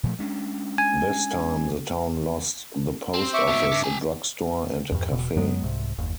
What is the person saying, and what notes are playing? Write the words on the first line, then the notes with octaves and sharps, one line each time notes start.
This time the town lost the post office, a drug store and a cafe.
A#2 F3 A3
G#3 C#4 D4
G#5
C4
E5 C#6 D6
G#2 B2
G2
G4 G#5
E2 G2
E1 B2
F#2 F#3 G#3 B3
C2 G#2 C3
F#1 D#2